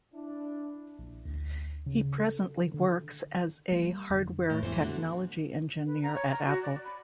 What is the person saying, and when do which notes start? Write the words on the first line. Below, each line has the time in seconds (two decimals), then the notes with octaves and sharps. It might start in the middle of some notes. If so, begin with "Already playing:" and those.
He presently works as a hardware technology engineer at Apple.
0.14 D4 E4
0.99 A#1
1.25 D2
1.86 C#3
2.18 A4
2.74 D3
3.72 G3 A#3
4.10 F2 D3
4.50 A2
4.63 F2 E3 G3 B3 C5
4.80 D3 F#4
5.85 B4
6.03 A#5
6.15 C#5
6.31 A#5
6.46 F#4
6.62 D5
6.84 B5